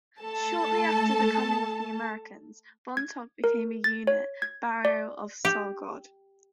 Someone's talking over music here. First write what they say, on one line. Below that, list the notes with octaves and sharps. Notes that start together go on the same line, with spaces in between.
Shortly after the coming of the Americans, Bontoc became a unit barrio of Sogod.
A3 A4 A5
G#6
A#4
A6
C#5
G#6
D5
G4